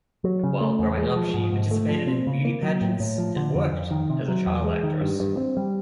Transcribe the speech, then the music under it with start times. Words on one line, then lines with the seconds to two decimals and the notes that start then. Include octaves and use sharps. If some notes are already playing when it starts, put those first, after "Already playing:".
While growing up, she participated in beauty pageants and worked as a child actress.
0.24 F#3
0.44 C#3
0.61 A3
0.79 E2
0.98 G#3
1.16 F3
1.34 G#2
1.52 G#2
1.71 A3
1.89 F3
2.07 C4
2.27 C#3
2.45 A#3
2.63 F#3
2.81 A2
3.00 A2
3.18 F3
3.36 D3
3.55 F2
3.72 F2
3.91 D#3
4.10 C3
4.28 F#3
4.47 E2
4.64 G#3
4.83 D#3
5.01 G2
5.20 G2
5.37 C4
5.57 G3